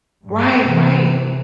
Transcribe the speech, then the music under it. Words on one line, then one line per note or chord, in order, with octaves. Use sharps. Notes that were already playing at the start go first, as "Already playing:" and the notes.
Right, right.
G2
C3 E3